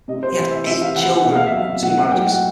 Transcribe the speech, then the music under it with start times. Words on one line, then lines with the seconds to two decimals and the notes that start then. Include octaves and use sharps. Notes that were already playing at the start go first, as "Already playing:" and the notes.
He had eight children, from two marriages.
0.08 C3 D#5
0.23 C5
0.37 E3 C5
0.52 E5
0.67 C3 E5
0.81 F5
0.96 E3 F#5
1.10 F#5
1.25 B2 F#5
1.36 F5
1.46 E5
1.54 F#3 F5
1.82 B2 F#5
1.98 F#5
2.12 F#3 G5
2.27 F#5